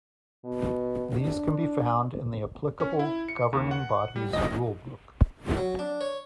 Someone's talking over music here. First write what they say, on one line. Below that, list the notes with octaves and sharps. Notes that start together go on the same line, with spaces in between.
These can be found in the applicable governing body's rule book.
B2
D4
C#4
E4
C#7
D#2
F#5
G3
D#5
F#3
D4
C#5